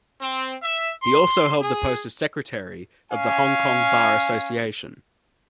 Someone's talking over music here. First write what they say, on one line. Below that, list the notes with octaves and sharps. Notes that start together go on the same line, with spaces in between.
He also held the post of secretary of the Hong Kong Bar Association.
C4
E5
C6
G#4
C#4 F5 G#5